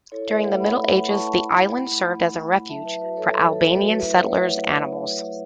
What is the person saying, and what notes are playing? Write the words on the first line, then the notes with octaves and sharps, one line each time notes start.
During the Middle Ages the island served as a refuge for Albanian settlers' animals.
E4 A4 C#5
B4 E5
A3 C#5 F#5
F#5 B5
A3 F#5 B5
F#5 B5
E4 A5 C#6
A5 C#6
E4 F#5 B5
A3
A3
E4
F#3 E5 A5
B4 E5
F#4 B4 E5
A4 C#5
F#3 A4
A4
A3
F#4 B4
E4 B4 E5
C#5 F#5
A3